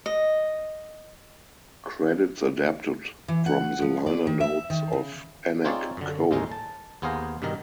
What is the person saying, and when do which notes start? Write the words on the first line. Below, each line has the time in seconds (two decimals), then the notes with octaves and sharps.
Credits adapted from the liner notes of "Anak Ko".
0.06 D#5
3.28 E3
3.46 F#5
3.82 F3
4.06 D5
4.27 D#3
4.40 E5
4.70 D#3
4.92 C#3
5.65 C4 D#4 F4 G#4 C#5 D5
5.97 F#2 D3
6.31 D#2 A2 G#3 D#4 A#4
6.52 A5
7.02 D#2 B3 G#4 C5 F5 A#5
7.42 G2 B2 D#3 A#4 D#5